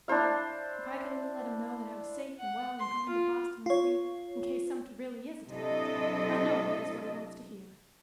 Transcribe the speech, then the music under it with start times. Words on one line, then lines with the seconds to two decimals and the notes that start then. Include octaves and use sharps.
"Why, if I could only let him know that I was safe and well and going to Boston with you, in case Sumter really is attacked; I know that is what he wants to hear."
0.08 D4 E4 C5 F5
2.39 F#5
2.79 C6
3.09 F4
3.66 F4 C#5
5.48 C3 F#3 D4 E4 A4 D#5